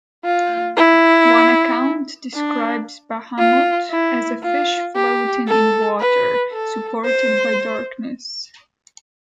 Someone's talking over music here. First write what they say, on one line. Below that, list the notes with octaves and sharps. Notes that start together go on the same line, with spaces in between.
One account describes Bahamut as a fish floating in water, supported by darkness.
F4
E4
D4
F4
E4
F4
G4
A4
B4
A4
C5